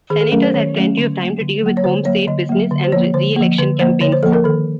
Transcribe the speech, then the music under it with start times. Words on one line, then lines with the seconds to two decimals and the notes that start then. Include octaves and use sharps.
Senators had plenty of time to deal with home-state business and reelection campaigns.
0.10 D#3 G#4
0.21 A4
0.32 F#3 A3 C#4 A#4
0.43 C5
0.54 D#3 C#5
0.76 F#3 A3 C#4
0.97 D3
1.19 F#3 A#3
1.41 D3
1.63 F#3 A#3
1.77 C#5
1.84 D3 C5
2.05 F#3 A#3 C#5
2.27 D3 D#5
2.49 F#3 A#3
2.71 D3
2.84 C5
2.92 F3 A#3 C#5
3.14 D3 C5
3.36 F3 A#3
3.58 D3 B4
3.79 F3 A#3 C5
4.01 D3 C#5
4.12 C5
4.23 F3 A#3 A4
4.33 A#4
4.44 D#3 A4